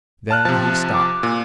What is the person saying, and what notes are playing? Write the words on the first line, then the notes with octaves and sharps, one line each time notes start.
Then he stopped.
A5 F6 F#6
C3 F3 A5
D6
A#2